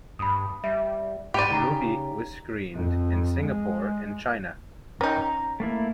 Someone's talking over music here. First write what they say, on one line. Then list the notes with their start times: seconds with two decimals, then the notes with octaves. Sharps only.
The movie was screened in Singapore and China.
0.19 G2 B5 D#6
0.64 G3 E5
1.34 G#2 G4 D5 B5 D#7
1.51 C#3 D#4 A#5
2.75 F2
3.44 G#3
5.01 C#4 D#4 A#4 G5
5.21 A#5
5.60 A3 A#3 E4